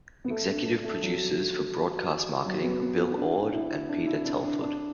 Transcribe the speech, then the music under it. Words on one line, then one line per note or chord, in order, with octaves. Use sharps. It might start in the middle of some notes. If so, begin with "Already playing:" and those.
Executive Producers for Broadcast Marketing, Bill Orde and Peter Telford.
B3
A3
D4
D4
A3
F#3
F#3
B3
B3
B3
D4
E4
D4
E4
D4
D4
D4